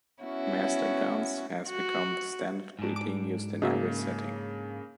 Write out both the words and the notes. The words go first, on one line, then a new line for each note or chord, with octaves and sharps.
"Master Guns" has become the standard greeting used in every setting.
B3 C#4 E4 F#4
F#4
G#2 D4
D6 D7
C#3 A#3 D#4 F#4 E5